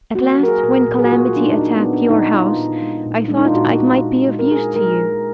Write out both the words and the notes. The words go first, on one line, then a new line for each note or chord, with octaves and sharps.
At last, when calamity attacked your house, I thought I might be of use to you.
A#3 F#4
F#4
F#3 A#4
G#4
A#2 A#4
A#2 A#4
G#4
F#4
A#3 F4
F4
F#3 D4
D#4
A#2 D4
B3
A#2
D4
A#2 D#4
G#3 F4
A#2
G#3
A#2
G#3 D4
D#4
F4
A#2 F#4
G#3
A#2
G#3
A#4
A#2 G#4
G#3 A#4
A#2